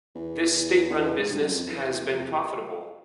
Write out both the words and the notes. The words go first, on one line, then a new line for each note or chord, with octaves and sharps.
This state-run business has been profitable.
E2
E2
G#2
G2
F#2
F2
E2
F2
F2
E2